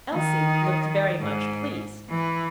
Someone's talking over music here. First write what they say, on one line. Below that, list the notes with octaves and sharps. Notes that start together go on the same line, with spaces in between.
Elsie looked very much pleased.
D#3
G#2
E3